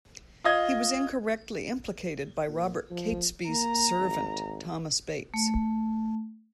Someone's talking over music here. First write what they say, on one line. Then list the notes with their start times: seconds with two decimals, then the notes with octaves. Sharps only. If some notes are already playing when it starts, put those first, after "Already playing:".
He was incorrectly implicated by Robert Catesby's servant Thomas Bates.
0.44 F4 D#5 G#6
2.48 A#2
2.91 F3
3.49 A#3 A#5
3.99 G#1
5.34 A3